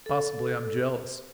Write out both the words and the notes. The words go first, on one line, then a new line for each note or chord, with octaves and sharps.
Possibly I am jealous.
A4